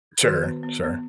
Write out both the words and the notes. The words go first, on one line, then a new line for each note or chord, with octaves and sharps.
Sure, sure.
D#3 F#4 B4
B3
B3
B3